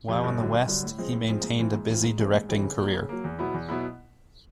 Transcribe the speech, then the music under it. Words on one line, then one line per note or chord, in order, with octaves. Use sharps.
While in the West he maintained a busy directing career.
F2 C3
G1
G2 D3 F#3
G1
G2 D3 F#3
A2
F3 G#3 C4
A2
F3 G#3 C4
G#2
E3 A3 C4 F4
G#2
E3 A3 C4 F4
G#2
E3 G3 C4
G#2
E3 G3 C4
C#3
F#3 A#3
C#3
F#3 A#3
E2
B2 F#3 B3 E4
E2
B2 F#3 B3 E4